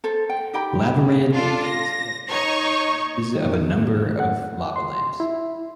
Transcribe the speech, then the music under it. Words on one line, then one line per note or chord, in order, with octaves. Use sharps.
Lavarand used this technique with images of a number of lava lamps.
A4 C5
G5
D#4 G4 G5 B5
D4 F4 A4
A#6
D#4 C#5 C#6
D#3
F#5
C6
E4